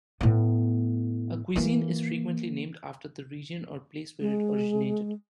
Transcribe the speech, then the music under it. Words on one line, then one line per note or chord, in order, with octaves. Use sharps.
A cuisine is frequently named after the region or place where it originated.
A2 B3
E3 A#3
G#3